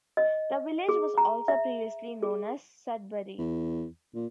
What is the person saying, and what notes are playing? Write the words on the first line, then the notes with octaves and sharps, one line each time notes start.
The village was also previously known as "Sudbury".
D#5
G#4
A#5
E5
G#4
E2
A#2